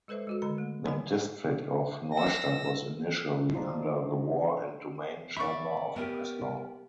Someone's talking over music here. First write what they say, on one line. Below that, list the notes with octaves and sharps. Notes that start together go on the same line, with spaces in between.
The district of Neustadt was initially under the War and Domain Chamber of Breslau.
G#3 A4 B4 C5 E5
G#3 F#4 A4
D3 D#3 G#3 A#5
A3
D3 D#3 G3 C#5 G#5
E6 A#6
D4 D#4 F4 C5
D5 E5 B5 C#6
B3 G4 A#4